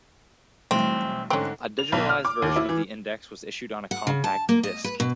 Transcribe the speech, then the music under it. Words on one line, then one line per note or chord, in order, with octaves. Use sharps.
A digitalized version of the index was issued on a Compact Disc.
B1 E3 G3 A3 C4
G#2 D3 C4 C#4
F7
B1
F6
D6
D#2
E4
E3
F#5
C#3
A5
A#3
D#5
B4
B2